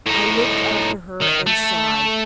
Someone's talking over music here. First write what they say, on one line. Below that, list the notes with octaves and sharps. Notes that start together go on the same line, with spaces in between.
I looked after her and sighed.
A2 D#4
D#3
A3